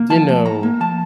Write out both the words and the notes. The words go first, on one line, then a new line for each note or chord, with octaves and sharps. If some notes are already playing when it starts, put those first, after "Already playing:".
you know
Already playing: A#3
F3 A5
A2
A2 A#5
A#3
F3 A5